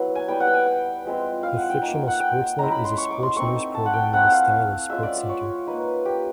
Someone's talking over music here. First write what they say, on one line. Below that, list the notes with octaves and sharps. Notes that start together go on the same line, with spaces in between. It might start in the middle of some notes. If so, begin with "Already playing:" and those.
The fictional "Sports Night" is a sports news program in the style of "SportsCenter".
Already playing: F#3 B3 E4
G#5
G3 B3 E4 G5
F#5
G5
G#5
G5
F3 G#3 C4 E4
F5
F#5
G5
A#3 D#4 G#5
G5
F#5
G5
G#3 C#4 E4 A#5
B5
C6
C#6
D6
C6
A3 C4 D#4 C#6
A5
F#5
G5
A3 C4 E4 F#5
F#5
F5
G#3 C#4 F4 E5
D5
D5
C#5
A#3 D#4 B4
G4